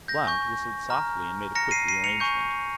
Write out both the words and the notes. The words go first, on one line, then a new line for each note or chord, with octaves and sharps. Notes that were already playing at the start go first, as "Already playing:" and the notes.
Blount whistled softly and made a quick re-arrangement.
G6 A#6
G#5 C#6 G6
A#5 F6
A#5 F6 A#6 C#7
C7 D#7
C7 D#7
C#7 F7
G#5 C#6 G6